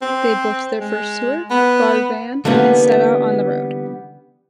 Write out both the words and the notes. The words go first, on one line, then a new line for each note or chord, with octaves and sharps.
They booked their first tour, bought a van, and set out on the road.
C4
G#3
B3
D3 E3 G3 A#3 B3 C#4